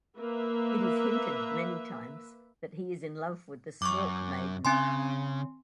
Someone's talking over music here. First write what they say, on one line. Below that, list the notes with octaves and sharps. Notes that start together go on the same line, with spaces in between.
It is hinted many times that he is in love with the Snork Maiden.
A#3 B4 E5
F#2 C#6 D6
C#3 C4 G#5 C6